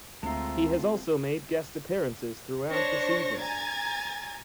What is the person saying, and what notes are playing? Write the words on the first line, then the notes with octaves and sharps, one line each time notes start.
He has also made guest appearances throughout the season.
D2 G#3 A3 C4 F4 E5 A#5
D4 C5 C#5 C#6 A#6
G#5 A#5 G#6 A6